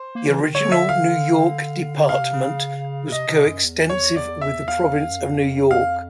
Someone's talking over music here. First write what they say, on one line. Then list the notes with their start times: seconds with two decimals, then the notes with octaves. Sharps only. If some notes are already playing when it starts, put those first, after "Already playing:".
The original New York Department was coextensive with the Province of New York.
Already playing: C5
0.15 A#3
0.29 E3
0.41 D#3
0.54 D3 C#5
0.72 E5
0.89 F5
2.09 C#3 F5
2.20 C3
2.32 C#3
3.12 C3 D#5
3.30 C3
3.47 F#2
3.64 E2
3.90 C#5
4.15 E2 D5
4.42 E5
4.68 F5
5.10 F#2
5.19 F2
5.71 F5